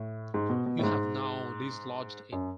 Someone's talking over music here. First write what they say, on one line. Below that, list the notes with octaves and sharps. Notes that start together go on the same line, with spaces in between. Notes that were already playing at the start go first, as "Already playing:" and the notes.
You have now dislodged it.
Already playing: A2
G#2
B2
B2
A2
G#2
F#2